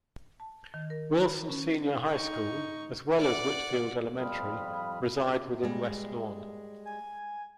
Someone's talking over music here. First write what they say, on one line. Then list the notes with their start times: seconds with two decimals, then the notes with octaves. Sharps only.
Wilson Senior High School, as well as Whitfield Elementary reside within West Lawn.
0.40 A5
0.74 D#3
0.90 A#4
1.24 B5
1.50 C#4
2.08 D#4 C#6
3.19 D5 F#5
4.19 F2 F3 G3 B5 D#6 F6
5.63 G3 G#3
6.85 G#5